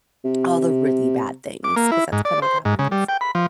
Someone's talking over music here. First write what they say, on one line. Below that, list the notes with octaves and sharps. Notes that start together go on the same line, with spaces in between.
all the really bad things 'cause that's kinda what happens.
C3
D6
A#3
E4
G#2
D5
C5
G#2
C#3
G3
G5
B5
F3